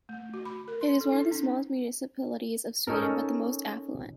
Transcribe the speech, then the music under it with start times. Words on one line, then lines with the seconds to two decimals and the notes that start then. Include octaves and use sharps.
It is one of the smallest municipalities of Sweden, but the most affluent.
0.09 A3
0.34 F#4
0.45 B5
0.68 A#4
0.81 C6
1.01 A4
1.12 D#4
1.31 C#4
2.87 C#4 D#4 A4 A#4